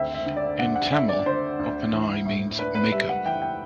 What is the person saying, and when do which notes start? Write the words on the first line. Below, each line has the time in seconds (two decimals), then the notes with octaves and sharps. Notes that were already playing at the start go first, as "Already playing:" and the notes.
In Tamil, 'Oppanai' means make up.
Already playing: D2 D3 C4 E5 G5
0.14 E5
0.26 D3
0.37 D5
0.59 D3 F#5
0.76 F#5
0.92 D2 E5
1.09 D5
1.26 D3 C5
1.59 D2
1.92 E3
2.25 A2
2.59 D4 B4
2.75 B4
2.92 G3 E5
3.09 F#5
3.25 E3 G5
3.42 G5